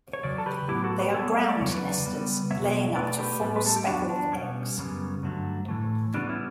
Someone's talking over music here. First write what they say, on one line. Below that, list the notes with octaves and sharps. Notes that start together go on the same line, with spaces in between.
They are ground nesters, laying up to four speckled eggs.
C#5
E2 C#3 F#3 D5
A4
G4 B4
A2 F#3 B3 E4 G4
F#4 A4
G4 B4
A2 G3 B3 A4 C#5
E5
D5
E2 C#3 F#3 C#5
B4 D5
C#3 G3 B3
E2 B2 F#3 B3 C#5 E5
B2 A3 B4 D5
G4 B4
A2 G3 B3
B4
A4
G4
E2 B2 F#3 B3 D4 F#4
D4
B2 G3 B3 C#4
F#2 C#3 G3 B3
G2 D3 F#3 A3
A2 E3 A3
C#3 E3 G3 B3 D4
C#4 E4